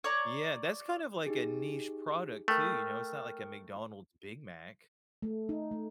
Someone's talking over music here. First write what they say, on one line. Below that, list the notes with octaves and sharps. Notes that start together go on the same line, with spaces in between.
yeah, that's kind of like a niche product too, you know? It's not like a McDonald’s Big Mac.
C#5 D5 A#5
D#4 G4 G#4
A3 A#4 G5 F6
A3
D#4
A3